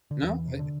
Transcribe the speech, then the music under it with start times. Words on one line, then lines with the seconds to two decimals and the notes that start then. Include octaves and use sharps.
No, uh
0.11 D3
0.23 E2 E3
0.48 C3
0.59 D3